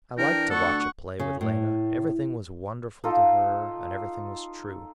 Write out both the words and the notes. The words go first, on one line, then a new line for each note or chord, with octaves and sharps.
I liked to watch a play with Lena; everything was wonderful to her, and everything was true.
E3 D4 A#4 G5
D2 A4 F#5 C#6
C#3
A2
D#4 F4 A4